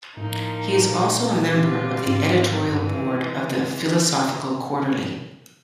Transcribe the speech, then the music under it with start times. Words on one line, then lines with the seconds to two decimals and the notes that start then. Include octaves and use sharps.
He is also a member of the editorial board of "The Philosophical Quarterly".
0.16 A2 F3 A#3 D#4
0.80 A#2
1.42 D3 G3 C4 F4
2.06 G#2
2.68 G2 E3 G#3 C4